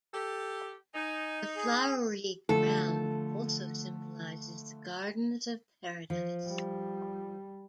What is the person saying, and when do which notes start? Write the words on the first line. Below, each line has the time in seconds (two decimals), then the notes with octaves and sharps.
The flowery ground also symbolises the gardens of Paradise.
0.14 G4 A4
0.94 D#4 G#5
1.56 G#4
2.49 D3 F3 A3 A4
6.10 F3
6.46 G3